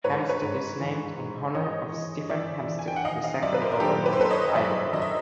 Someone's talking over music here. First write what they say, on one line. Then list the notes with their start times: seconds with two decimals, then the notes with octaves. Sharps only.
Hempstead is named in honor of Stephen Hempstead, the second governor of Iowa.
0.04 G#2 B4 C#5
0.29 B4 C#5
0.42 G#2
0.80 E3
1.17 G#2
1.55 E3 C#5 D#5
1.92 E3
2.29 E3 D5 E5
2.68 E3
2.79 G#5
2.88 G5
2.96 F#5
3.05 D#3 D#5 F5
3.24 D#5 F5
3.42 F#2 D5 E5
3.54 B4
3.62 A#4 C5
3.72 A#4
3.80 D#3 G4 A4
4.06 B4
4.13 C5
4.18 F#2 A4 B4
4.31 C#5 D#5
4.55 F#2 D5 E5
4.93 F#2 D#5
5.02 E5